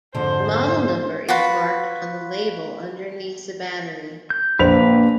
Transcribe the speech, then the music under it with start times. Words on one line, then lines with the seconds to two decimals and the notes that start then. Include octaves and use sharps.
The model number is marked on the label underneath the battery.
0.15 F2 G#2 D3 C5
1.28 F4 F#4 B4
4.30 G6
4.59 A#1 A#3 B4 C5 F7